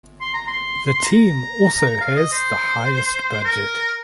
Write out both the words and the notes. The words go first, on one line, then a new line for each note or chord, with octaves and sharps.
The team also has the highest budget.
C6
A#5
C6
A#5
F5
D#5
C5
A#4